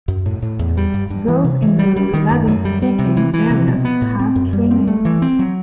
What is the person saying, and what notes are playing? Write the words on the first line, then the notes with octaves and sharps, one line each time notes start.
Those in the Ladin-speaking areas have three names.
F#2
A2
A2
E2
G3
G2
G2
E3
C3
E3
G3
G3
D#3
F#2
F#2
G3
G3
C3
E3
E3
C3
B2
B3
A2
C4
F#2
G3
C4
A3
E3
C4
F#3